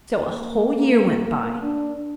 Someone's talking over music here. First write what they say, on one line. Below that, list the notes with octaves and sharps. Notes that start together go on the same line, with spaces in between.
So a whole year went by.
A#3
D4